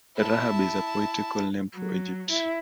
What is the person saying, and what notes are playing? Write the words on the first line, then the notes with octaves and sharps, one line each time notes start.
Rahab is a poetical name for Egypt.
E4 A5
F#3
E4